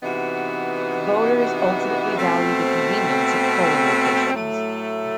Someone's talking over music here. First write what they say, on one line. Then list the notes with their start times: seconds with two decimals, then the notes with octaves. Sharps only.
Voters ultimately value the convenience of polling locations.
0.03 C3 E3 B3 D#4 F#4
2.17 B2 A3 C4
4.33 A2 F#3 A3